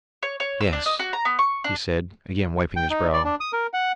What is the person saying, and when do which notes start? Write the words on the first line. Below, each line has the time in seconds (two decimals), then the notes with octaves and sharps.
"Yes," he said, again wiping his brow.
0.23 C#5
0.40 C#5
0.61 E6
0.73 D4
0.86 D#5
0.99 F#4
1.13 A#5
1.25 B3
1.39 C#6
1.64 D4
2.76 G5
2.90 D#4
3.13 D5
3.25 D4
3.40 D#6
3.53 A#4
3.74 F#5